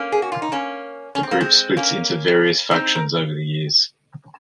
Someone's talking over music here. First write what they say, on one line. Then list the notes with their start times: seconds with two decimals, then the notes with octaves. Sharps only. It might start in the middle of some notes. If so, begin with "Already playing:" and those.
The group split into various factions over the years.
Already playing: A#3 C#4
0.12 G#4
0.22 F#4
0.32 F4
0.42 D#4
0.52 A#3 C#4
1.15 C#4
1.23 C4
1.31 A#3
1.41 G#3 C4
1.77 A#3 C#4
2.71 C4 D#4
2.95 A#4